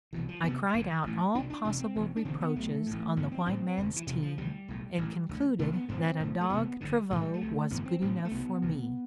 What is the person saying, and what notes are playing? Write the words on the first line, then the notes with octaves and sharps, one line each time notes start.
I cried out all possible reproaches on the white man's team and concluded that a dog-travaux was good enough for me.
C2 B2 E3
F3
D2 C3 B3
G1 G2 D3
A1 A2
C2 B2 D4
D4
E1 D2 C3 D4
C4
E1 E2 B2
D4
E1 D2 D3 C4
B3
B1 B2 A3
A1 A2
A1 G2 D3 B3
C4
A1 A2 C4
F1 F2 D3
E3
E1 D2 C3 F3
F3
D2 C3 G3
B1 A2
A1 A2
D2 D3
E1 E2 C3 A3
B3
A1 G2 D3 C4
B1 A2
A3
E1 D2 C3 B3
G1 F2 D3
A1 A2 A3
G3
A3
C2 C3
A1 G2 D3 B3
C4
A1 A2 C4
A3
C2 B2 B3
D2 C3